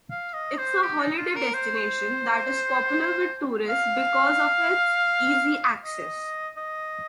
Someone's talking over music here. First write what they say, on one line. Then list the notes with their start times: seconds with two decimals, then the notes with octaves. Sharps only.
It's a holiday destination that is popular with tourists because of its easy access.
0.11 F5
0.34 D#5
0.58 C5
0.82 G4
1.00 D#4
1.18 F4
1.36 A#4
1.54 C5
3.69 F5
5.85 D#5
6.57 D#5